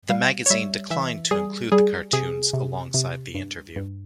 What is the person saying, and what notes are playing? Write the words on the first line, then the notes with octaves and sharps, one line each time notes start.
The magazine declined to include the cartoons alongside the interview.
G3 F5
C#5
G3 E5
E3 E5
G3 G#4
G3 G#4
C3 G#4
C3
C3
G2
G2